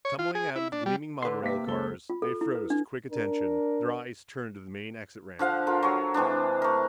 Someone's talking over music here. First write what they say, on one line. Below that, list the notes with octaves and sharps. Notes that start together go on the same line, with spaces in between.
Tumbling out of the gleaming monorail cars, they froze to quick attention, their eyes turned to the main exit ramp.
C#5
F4
G#4
E4
D4
G3
D3 B4 C6
C3 A#3 F5 D6 B6
C#2 A4 C5 G7
F4
A4
E4
B4
D4
D4 A#4
D3 F3 F5 F#5
F4 A4 A#4
F#3 C#5
C3 E3 G#3 D4
A3 A#4